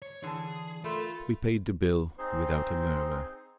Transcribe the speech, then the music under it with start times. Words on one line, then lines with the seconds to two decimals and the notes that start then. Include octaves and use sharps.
We paid the bill without a murmur.
0.02 C#5
0.23 D3 E3 G#4 A5
0.84 A3 F4 A#4 B5 C6
2.19 C4 D#4 G#4 C5